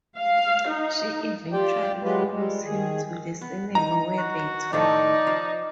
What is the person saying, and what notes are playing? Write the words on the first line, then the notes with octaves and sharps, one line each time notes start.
She eventually follows him to the cinema where they talk.
F5
D#4
F4 G4 D5 G5
F#3 G#3 F4 G4 B4
G3 G#3
D#3 G#4
B3
D#4 A#5
F#4
A2 D#3 D#4 A4 D5
F3